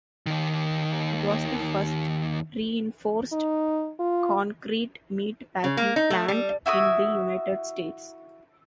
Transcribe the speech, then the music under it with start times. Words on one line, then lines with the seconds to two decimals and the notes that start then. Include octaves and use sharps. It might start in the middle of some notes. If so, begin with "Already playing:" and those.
It was the first reinforced concrete meat packing plant in the United States.
0.26 D#2 D#3
3.32 D#4
3.99 F4
5.64 C#3
5.77 A#3
5.96 D#4
6.10 A3
6.28 G3
6.66 E4 F#4 E5 D#6